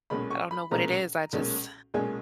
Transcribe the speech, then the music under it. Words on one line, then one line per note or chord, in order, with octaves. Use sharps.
I don't know what it is. I just
B1 A#2 G#3 C#4 B5
C#6
B5
B1 A#2 G#3 C#4 A#5
B1 A#2 G#3 C#4
B1 A#2 G#3 C#4 G#5